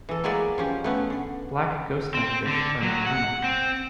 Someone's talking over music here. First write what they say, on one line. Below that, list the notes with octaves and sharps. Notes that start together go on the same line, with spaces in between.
Black ghost knife fish are nocturnal.
E3 A4
F#3 G#3 A#3 E4 C#5 D5
F3 C#4 G4
A3 B3 C#4
D3
C4
D3
F#3
F#5
C4